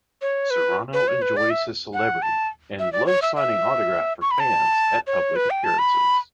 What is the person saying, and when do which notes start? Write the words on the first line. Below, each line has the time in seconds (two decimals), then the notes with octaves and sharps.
Serrano enjoys his celebrity and loves signing autographs for fans at public appearances.
0.22 C#5
0.50 B4
0.93 B4
1.08 C#5
1.22 B4
1.37 D5
1.50 E5
1.94 F#5
2.22 A5
2.79 E5
2.93 D5
3.07 C#5
3.22 E5
3.36 E5
4.22 C#6
4.31 B5
4.40 A5
5.07 C#5
5.36 B4
5.50 G5
5.64 A5
5.79 B5